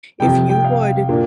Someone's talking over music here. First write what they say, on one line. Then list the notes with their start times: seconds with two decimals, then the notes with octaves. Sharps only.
If you would,
0.20 F2 C3 G3 G5
0.49 G5
0.65 F5
1.09 A#2 A#3 D4